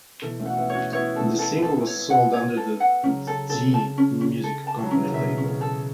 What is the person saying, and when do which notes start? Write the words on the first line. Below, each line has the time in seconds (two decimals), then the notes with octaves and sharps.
The single was sold under the Zee Music Company label.
0.22 B2 E3 A4
0.40 A3 C#4
0.46 F#4 F#5
0.57 B3 E4
0.70 C#5
0.75 C#4 F#4
0.92 B3 E4 C#5
1.16 A4
1.39 A4
1.62 A4
1.86 C#5
2.10 F#5
2.33 C#5
2.57 A4
2.80 F#5
3.03 C#3 F#3 C#4
3.27 C#3 A4
3.50 C#3 A4
3.74 A5
3.98 C#4
4.21 C#4
4.44 A4
4.67 A5
4.83 F#3
4.91 E3 C#4
5.04 C#3
5.14 B2 E5
5.37 C#4
5.61 A4